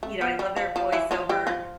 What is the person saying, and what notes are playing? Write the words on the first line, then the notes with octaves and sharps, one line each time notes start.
you know, "I love their voiceover,"
A3
B3
G3
F3
F3
E3 E4
F3 F4
G3 G4
F3 F4